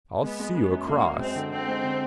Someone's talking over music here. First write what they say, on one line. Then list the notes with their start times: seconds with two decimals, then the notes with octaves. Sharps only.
I'll see you across.
0.23 G#3 B3
0.40 G#3
0.55 G#3 B3
0.71 F#2
0.87 F#2 A#3
1.04 F#2
1.19 G#3 C4
1.36 D3
1.52 D3 C4
1.68 G#3
1.84 D3